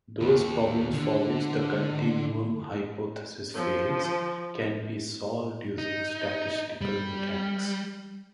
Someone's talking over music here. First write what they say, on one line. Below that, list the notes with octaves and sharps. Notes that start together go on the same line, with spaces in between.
Those problems for which the continuum hypothesis fails, can be solved using statistical mechanics.
D#2
D3
F3
D#4
G3